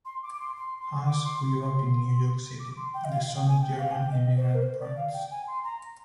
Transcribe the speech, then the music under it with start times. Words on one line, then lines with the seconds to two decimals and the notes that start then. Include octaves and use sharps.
Huss grew up in New York City, the son of German immigrant parents.
0.05 C6
0.23 D6
0.34 D6
0.40 C6
0.56 C6
0.82 C6
1.07 D6
1.24 C6
1.41 C6
2.60 D6
2.76 C6
2.94 G5
3.05 D#5
3.10 F5
3.23 F5
3.36 G5
3.48 G#5
3.61 G5
3.78 F5
3.91 G#5
3.95 G5
4.12 D#5
4.37 C5
4.55 A#4
4.63 C5
4.80 D5
4.96 F5
5.13 G5
5.31 G#5
5.47 C6
5.64 A#5